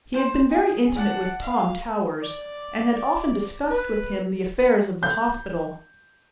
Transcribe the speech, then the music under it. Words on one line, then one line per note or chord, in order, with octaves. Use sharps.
He had been very intimate with Tom Towers, and had often discussed with him the affairs of the hospital.
C5
G#4
D4 F#5
F5
D5
B4
G6